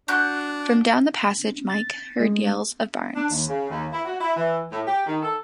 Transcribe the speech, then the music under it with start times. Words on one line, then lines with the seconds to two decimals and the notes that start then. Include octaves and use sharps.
From down the passage Mike heard yells of "Barnes!"
0.08 D4 F#4 F#6 G6
1.70 A6
2.20 G#3
3.16 D4
3.30 D#2
3.49 C#3
3.70 D#2
3.92 E4
4.05 F#4
4.20 E4
4.37 E3
4.72 A2
4.87 G4
5.07 D#3
5.22 A4